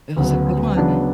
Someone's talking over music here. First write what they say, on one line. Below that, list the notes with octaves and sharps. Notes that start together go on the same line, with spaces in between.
It was a good one.
D2 C#3 F#3 B3
C#3 F#3 B3 D4